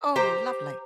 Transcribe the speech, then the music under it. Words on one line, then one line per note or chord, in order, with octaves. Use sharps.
Oh, lovely.
G4 C5 A#5